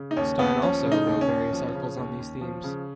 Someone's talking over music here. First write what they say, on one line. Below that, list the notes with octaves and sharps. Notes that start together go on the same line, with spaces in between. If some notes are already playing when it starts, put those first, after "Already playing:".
Stein also wrote various articles on these themes.
Already playing: C#3
D#4
D#2 C#4
D#2 B3
F3 C#4
C#3
D#4
D#2
C#4
D#2
F3
C#3
D#2
D#2
F3
C#3